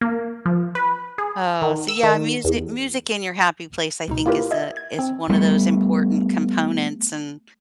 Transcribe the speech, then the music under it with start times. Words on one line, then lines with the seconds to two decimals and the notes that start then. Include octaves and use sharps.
Oh, so, yeah, music music in your happy place I think is a is one of those important components and,
0.01 A#3
0.46 F3
0.75 B4
1.18 G#4
1.62 D#3
1.88 E6
2.03 D#3
2.44 E2
4.08 C#2 B2 D#4
4.26 A#3 E4 F4 G4 A#4 B4
4.51 D#5 E5 G#6
4.77 G#6
4.99 C4
5.30 G3 A3 B3